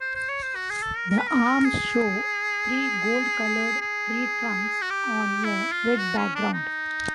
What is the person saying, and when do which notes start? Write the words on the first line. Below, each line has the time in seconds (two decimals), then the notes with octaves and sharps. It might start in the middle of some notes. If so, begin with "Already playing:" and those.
The arms show three gold-colored tree trunks on a red background.
0.01 C5
0.15 C5
0.28 C#5
0.42 C5
0.55 F#4
0.70 G#4
0.82 A4
0.96 A#4
1.10 A#4
1.19 B4
1.28 A#4
1.65 G#4
3.81 G#4
4.82 F#4
4.90 G4
5.45 E4
5.72 F4
5.99 F#4
6.17 C#4
6.35 D4
6.53 D#4